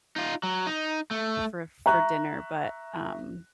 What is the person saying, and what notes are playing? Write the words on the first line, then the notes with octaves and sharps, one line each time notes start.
for for dinner, but, um,
D#4 F4
F#3
D#4
A3
E5 A#5 C#6 F#6